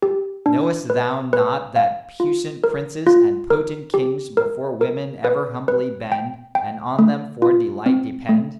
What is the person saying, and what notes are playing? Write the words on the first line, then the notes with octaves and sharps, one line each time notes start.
Knowest thou not that puissant princes and potent Kings before women ever humbly bend and on them for delight depend?
G4
D4
B4
B4
F5
F4
A#4
F4
A#4
G4
A#4
A#4
B4
B4
G5
G5
A3
F4
C4
A3